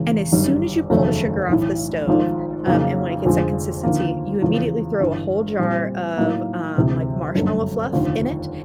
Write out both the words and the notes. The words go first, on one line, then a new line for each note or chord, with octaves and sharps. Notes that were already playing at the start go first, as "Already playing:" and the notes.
and as soon as you pull the sugar off the stove, um, and when it gets that consistency, you immediately throw a whole jar of, um, like, marshmallow fluff in it,
Already playing: E1 E2 C#3
G1 F#2 D#3 G3
F1 D#2 C#3 F#3 A3
B1 A2 E3
G#1 G#2 F3
F2 C#3 F#3 A#3 D#4
F1 F2 D3 F3 G#3
D#2 D3 F3 A#3
E2 C#3 F3
G1 G2 E3
A#2 G3 C4
A2 F#3 A#3 D#4
D2 C3 E3 G#3
G1 F#2 D3 F#3 A3
F1 D#2 D3 F3